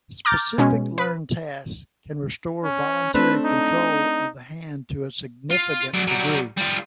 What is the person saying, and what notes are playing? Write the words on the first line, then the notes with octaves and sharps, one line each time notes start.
Specific learned tasks can restore voluntary control of the hand to a significant degree.
A#5 D6 F6 G6 A6
B2 G#3 C#4
B4
C#4
A3 C4 D4 B4
D#4
F4
F#3 D5
F#3 G3
G3 F4